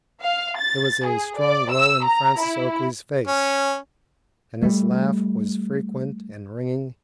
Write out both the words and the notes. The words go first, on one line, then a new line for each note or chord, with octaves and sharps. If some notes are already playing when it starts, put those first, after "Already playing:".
There was a strong glow in Francis Oakley's face, and his laugh was frequent and ringing.
F5
A6
G#4
D5
E6
A#5
E4
C#4
G3 A3